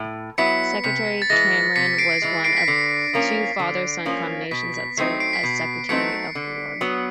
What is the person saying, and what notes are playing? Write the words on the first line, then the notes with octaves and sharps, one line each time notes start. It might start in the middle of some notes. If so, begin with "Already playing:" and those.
Secretary Cameron was one of two father-son combinations that served as Secretary of War.
Already playing: A2
F#3 B3 E4 B6 C#7
C3 B6 C#7
A6
E3 G#3 A#6
C3 B6 C#7
C7 D7
E3 G#3
C7 D7
B6
D3 C7
F3 A#3 C#4
D3
F3 A#3 C#4
B2 B6
B6
F#3 A3 C4 D#4 C7
C7 D7
B6
B2 C7
F#3 A3 C4 D#4 B6 C#7
D3
F#3 B3